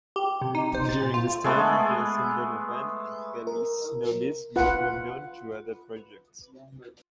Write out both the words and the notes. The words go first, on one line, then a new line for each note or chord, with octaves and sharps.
During this time, Jason Donovan and Felix Nobis both moved on to other projects.
G4
C3
D#4
C5
A6
A#2
F4
G#3 A3 B3
A#4
F4 B4 F#5